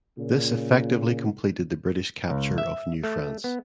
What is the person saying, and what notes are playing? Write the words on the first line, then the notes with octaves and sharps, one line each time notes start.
This effectively completed the British capture of New France.
A#2 C#3
C#2
E5
A3
B3